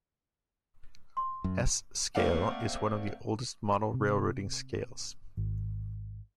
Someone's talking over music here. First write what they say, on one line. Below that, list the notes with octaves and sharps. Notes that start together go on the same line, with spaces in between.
S Scale is one of the oldest model railroading scales.
C6
F#2
A3 A#3 C4 D5 F5 F#5
C3
G#1